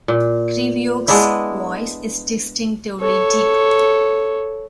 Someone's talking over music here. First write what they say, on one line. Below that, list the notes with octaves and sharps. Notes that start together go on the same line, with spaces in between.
Grevioux's voice is distinctively deep.
A#2
G#3 B3 D4 E4
A4 C#5